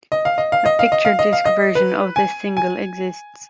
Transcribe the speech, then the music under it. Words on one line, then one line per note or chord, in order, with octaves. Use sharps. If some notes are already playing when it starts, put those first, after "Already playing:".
A picture disc version of this single exists.
D#5
F5
D#5
F5
D#5
F5
D#5
F5
D#5
F5
D#5
B4
G#5
G#5